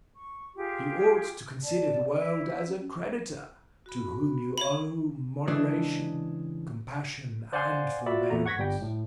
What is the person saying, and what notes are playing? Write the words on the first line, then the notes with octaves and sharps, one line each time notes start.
You ought to consider the world as a creditor, to whom you owe moderation, compassion, and forbearance.
C#6
F4 G4 G#4
D5 A5
E4
C#4
F#4 B5
C#5 E5 F5 B5 C#6
C#3 E3 G#3 D4
C5 D5 F5 F#5 G#5 C6
F4 F#4 D5 E5 B5
E2 A#2 A3 A#5
F#5 C#6 G#6 A#6 B6
G1 G3 G5
A2